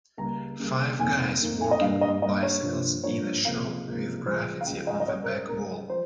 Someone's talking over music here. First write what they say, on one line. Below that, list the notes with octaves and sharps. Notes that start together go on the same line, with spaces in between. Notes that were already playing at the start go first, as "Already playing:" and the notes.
Five guys working on bicycles in a shop with graffiti on the back wall.
C#2 C#3 G3 A#3 A#5
C#2 C#3 G3 A#3
F2 D#3 A#3 G#5
F2 D#3 A#3
G#5
D#5
G2 G3 A#3 F5
D#5
G2 G3 A#3 D#5
C#5
G2 F3 A#3
G2 F3 A#3 C#5
C#2 C3 F3 A#3 F5
C#2 C3 F3 A#3
C#2 C#3 F3 G#3 C5
F5
C#2 C#3 F3 G#3 G5
D#5
D#5
C#2 C#3 G3 C#5
A#4
C5
C#2 C#3 G3 A#4
F3 C5